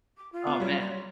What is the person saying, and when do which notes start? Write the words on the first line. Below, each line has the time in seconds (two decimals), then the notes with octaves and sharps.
Oh, man.
0.17 D6
0.32 F4
0.47 B3
0.60 F#3 G3
0.80 C6